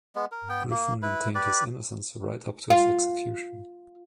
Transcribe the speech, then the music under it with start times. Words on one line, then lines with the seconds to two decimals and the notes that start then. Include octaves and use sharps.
Griffin maintained his innocence right up to his execution.
0.16 G#3 B3
0.32 A#4
0.49 B3 G5
0.71 A#3
1.02 E4 B4
1.35 G4 B4 D5
2.70 F4